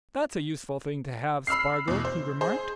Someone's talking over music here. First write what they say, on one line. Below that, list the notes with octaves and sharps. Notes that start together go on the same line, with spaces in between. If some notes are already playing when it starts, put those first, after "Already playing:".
"That's a useful thing to have, Spargo," he remarked.
B5 E6 F6 C7
E2 B2
C5
G#4 C5